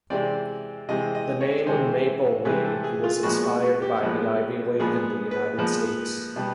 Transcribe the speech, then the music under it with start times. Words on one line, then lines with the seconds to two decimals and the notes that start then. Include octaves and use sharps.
The name "Maple League" was inspired by the Ivy League in the United States.
0.10 C3 E3 G#3 C4 D5
0.89 C3 E3 G#3 C4 D#5
1.15 D#5
1.41 C#5
1.67 C3 E3 G#3 C4 C5
2.45 C3 E3 G#3 C4 B4
2.65 A4
2.84 G#4
3.04 F4
3.23 A#2 F3 G#3 B3 F#4
3.43 F#4
3.62 F#4
3.82 G4
4.01 A#2 F3 G#3 B3
4.80 A#2 F3 G#3 B3 G#4
5.31 B4
5.58 A#2 F3 G#3 B3
6.36 B2 G3 B3